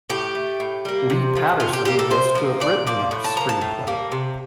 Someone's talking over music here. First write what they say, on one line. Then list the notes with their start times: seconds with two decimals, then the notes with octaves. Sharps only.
Lee Patterson was to have written the screenplay.
0.10 A2 G4
0.35 A3
0.60 A2
0.85 G3 A#3
1.10 C3
1.35 F3 A3
1.60 C3 F4
1.73 G4
1.85 G3 A#3 G4
1.99 A4
2.10 C3 C5
2.35 F3 A#3
2.60 A#2 D5
2.87 F3 A#3 D5
3.11 A2
3.24 A5
3.36 F3 A#3 A#5
3.49 A5
3.61 A2
3.87 G3 A#3
4.12 C3